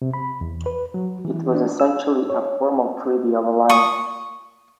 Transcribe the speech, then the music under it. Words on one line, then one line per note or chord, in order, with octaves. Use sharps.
It was essentially a formal treaty of alliance.
C3
B5
E2
B4
F#3
E3
D4
E6
C#5
C#6 D#6